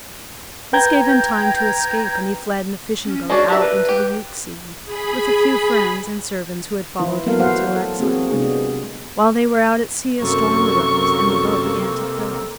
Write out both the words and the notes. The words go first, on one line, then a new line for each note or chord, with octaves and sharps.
This gave him time to escape, and he fled in a fishing boat out into the Euxine with a few friends and servants who had followed him into exile. While they were out at sea a storm arose, and the boat began to fill.
B4 G5 A#5 G6 G#6 A#6
C#4
G#3 C#4 D4 F#4
D4 G4 A#4 E5
B4
G4
G#4 B5
E3 E4 F4 B4
A#3 B3 A4 A#4 F5
F#3 A#3 E4 C5 F5 F#5
A4
A#3 C4 F#4 G#4
C3 G#3 B3 C4 D4 G#4
F#2 C3 A#3 A4 C#6